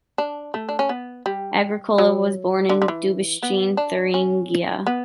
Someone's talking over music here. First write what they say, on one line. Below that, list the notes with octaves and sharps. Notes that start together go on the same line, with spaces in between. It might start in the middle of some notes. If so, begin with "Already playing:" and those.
Agricola was born in Dobitschen, Thuringia.
D4
A3
D4
C#4
B3
G3
F#3
D3
D3
E3
B3
D4
C#4
B3